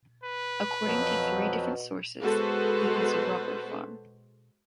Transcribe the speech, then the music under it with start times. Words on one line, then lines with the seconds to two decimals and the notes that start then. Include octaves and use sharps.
According to three different sources, he has a rubber farm.
0.24 B4
0.85 F2 B2 F3 F#3
2.20 G#3 B3 F#4 A4 B4 C5